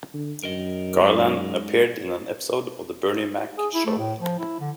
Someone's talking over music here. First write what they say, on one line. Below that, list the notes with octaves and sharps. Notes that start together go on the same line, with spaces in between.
Garland appeared in an episode of The Bernie Mac Show.
D3
F#2 A#4 D#5
G#3 D#4
G#4
E4
A3
A2
F3
E4
D3